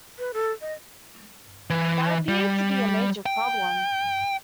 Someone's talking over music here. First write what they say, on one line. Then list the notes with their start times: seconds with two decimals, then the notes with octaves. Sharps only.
That appeared to be a major problem.
0.19 B4
0.34 A4
0.61 D#5
1.70 E3
2.28 G3
3.26 G5